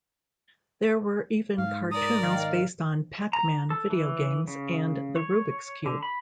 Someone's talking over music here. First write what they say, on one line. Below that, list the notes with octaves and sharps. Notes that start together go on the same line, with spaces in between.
There were even cartoons based on "Pac-Man" video games and "the Rubik's Cube".
G#2 F5
A#4 D5 D#6
D#3 F5
A#5
A4
E3
C#3
C#5
D3
B5